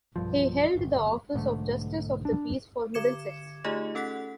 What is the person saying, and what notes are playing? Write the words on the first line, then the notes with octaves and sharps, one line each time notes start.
He held the office of Justice of the Peace for Middlesex.
B1 G2 F3
G1
B1 G#2 D3 A3
D4
D3 D6 G#6 C#7 E7
A3 D#4 F4 G4 G#4 D#5
C#4 A4 F#5 F#6 B6